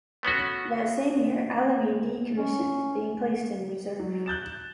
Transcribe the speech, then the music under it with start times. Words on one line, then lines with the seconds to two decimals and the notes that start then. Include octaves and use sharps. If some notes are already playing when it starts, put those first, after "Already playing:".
That same year, "Alamein" decommissioned, being placed in Reserve.
0.23 A3 B3 C#4 F#4
2.35 C#4
4.00 F#3
4.26 F#6 G6 A6 E7